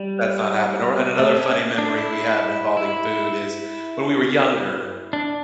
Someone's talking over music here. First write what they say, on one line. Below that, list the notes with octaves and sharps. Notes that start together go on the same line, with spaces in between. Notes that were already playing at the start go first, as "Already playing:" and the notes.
that's not happen or and another funny memory we have involving food is, when we were younger,
Already playing: G3
A3
C#4
D4
E4
E4
D4